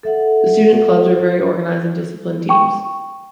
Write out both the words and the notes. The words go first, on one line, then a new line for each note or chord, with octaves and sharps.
The student clubs are very organized and disciplined teams.
A4 E5 F#5
G5 C#6